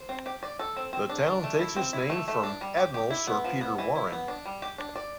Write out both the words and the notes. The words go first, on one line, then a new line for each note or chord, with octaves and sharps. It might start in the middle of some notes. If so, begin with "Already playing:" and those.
The town takes its name from Admiral Sir Peter Warren.
Already playing: C5
C4
G4
D5
A4
C4
C4
D4
D4
A3
E4
C4
E4
A3
A3
D4
G3
G4
G4
E4
B3
F3
B3
E3
E4
B3
D4
G3
G4
D4
D5